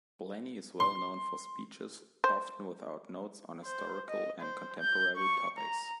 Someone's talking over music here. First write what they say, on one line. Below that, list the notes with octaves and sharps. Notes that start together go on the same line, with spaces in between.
Blainey is well known for speeches, often without notes, on historical and contemporary topics.
C6
C5
C5
D#5
C5
G6
C#6
A#5